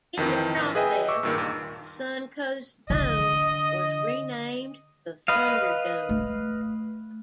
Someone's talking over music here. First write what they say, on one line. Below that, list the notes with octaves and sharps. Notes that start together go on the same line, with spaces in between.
In the process, the Suncoast Dome was renamed the Thunderdome.
F2 D#3 E3 C4
A1
G#4 B4 D#5 E5 G5 G#5
C#6 D6 E6
G2 A#2 D#3
D#2
D3 D#5
B4 D#5 F5
A3